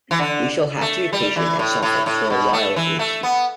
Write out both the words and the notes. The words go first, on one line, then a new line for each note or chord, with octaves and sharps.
We shall have to be patient, and suffer for awhile at least.
E3
D3
A3
G3
E3
A2
A2
A2
B2
A3
E3
A3
B3